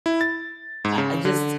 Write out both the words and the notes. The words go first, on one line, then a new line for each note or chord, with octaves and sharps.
I I just
E4
A6
G#2
C#3
D3